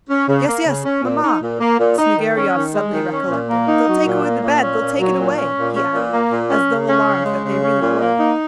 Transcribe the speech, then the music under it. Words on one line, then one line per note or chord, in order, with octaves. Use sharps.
"Yes, yes, mamma!" Snegiryov suddenly recollected, "they'll take away the bed, they'll take it away," he added as though alarmed that they really would.
C#4
C#3
A#3
C#3
C#4
A#2
D#4
A#2
A#3
A#2
D#4
D#3
C#4
D#3
G#3
D#3
C#4
A#2
A#3
D#4
F#3
A#2
A#3
A#2
C#4
A#2
F#3
A#2
C#4
A#2
C#4
A#2
A#3
A#2
C#4
C#3
C#4
C#3
G#3
C#3
C#4
A#2
A#3
D#4